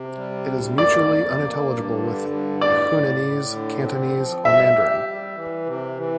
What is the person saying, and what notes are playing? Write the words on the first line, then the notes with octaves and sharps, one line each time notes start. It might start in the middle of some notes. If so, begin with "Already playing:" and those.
It is mutually unintelligible with Hunanese, Cantonese, or Mandarin.
Already playing: C3
G3
D2
A#3 D5
F2
A#3
G2
D3
G2
A2 D5
A2
A2
D3
C4
F3
G3 E5
G4
G3
E3
C3
E3